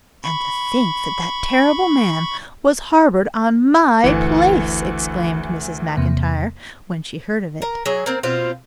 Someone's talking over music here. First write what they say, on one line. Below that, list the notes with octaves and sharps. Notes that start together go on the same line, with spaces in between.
"And to think that that terrible man was harboured on my place!" exclaimed Mrs. MacIntyre when she heard of it.
B5 C#6
G1 D2 E3 C#7
E2 C3 A#3
A#4
F#3 G#4
A#3 C4
B2 C4 F4